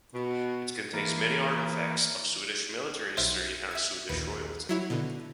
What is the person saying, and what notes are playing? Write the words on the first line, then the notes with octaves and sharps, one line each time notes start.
It contains many artifacts of Swedish military history and Swedish royalty.
B2
E3 A#3
B1 C5 E5 F6 D7
E5 G#6
A#1 D#2 B4
F#3 E4 C#5
B2 D3